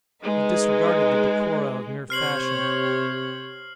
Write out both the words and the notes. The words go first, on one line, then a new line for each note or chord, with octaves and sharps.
He disregarded the decora of mere fashion.
G#3 D#4 B4
C3 G4 C5 C#5 F6 C7 F#7